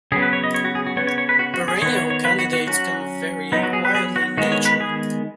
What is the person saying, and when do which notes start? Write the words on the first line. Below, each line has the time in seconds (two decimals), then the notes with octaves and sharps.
Perennial candidates can vary widely in nature.
0.12 C#3 F#3 B3 G#4
0.22 B4
0.33 C#5
0.44 D#5
0.54 C#5
0.64 F#4
0.75 G#4
0.86 F#4
0.97 C#3 B3 C#5
1.07 C#5
1.18 C#5
1.29 B4
1.39 F#4
1.54 F#4
1.68 G#4
1.82 D#3 B3 C#5
1.96 C#5
2.10 C#5
2.25 B4
2.39 F#4
2.53 F#4
2.67 F#3 C#4 F#4
3.52 B3 D#4
3.56 F#3
3.63 F#4
3.73 G#4
3.85 B4
3.95 G#4
4.16 F#4
4.37 D#3 G#3 B3 F#4
4.52 C#5
4.65 B4
4.80 G#4